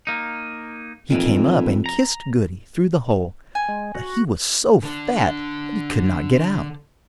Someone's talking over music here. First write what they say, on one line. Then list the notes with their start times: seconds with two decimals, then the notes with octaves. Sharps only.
He came up and kissed Goody through the hole; but he was so fat that he could not get out.
0.07 A#3 D#4
1.10 F2 A#2 D#3 E3
1.86 A#5
3.55 G#5
3.69 G#3
3.95 F#4
4.83 D3 D4